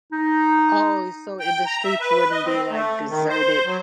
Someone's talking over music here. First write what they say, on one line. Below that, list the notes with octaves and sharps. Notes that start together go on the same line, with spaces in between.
Oh, so the streets wouldn't be like deserted
D#4
G5
A#5
E5
B4
D#5
C4
A3
D#3
C5
F#3